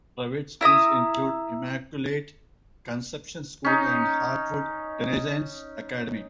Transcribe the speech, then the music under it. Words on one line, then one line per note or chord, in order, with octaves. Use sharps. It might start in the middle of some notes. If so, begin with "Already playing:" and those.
Private schools include Immaculate Conception School and Heartwood Renaissance Academy.
E4 E5 A#5 D#6
C#4 D#4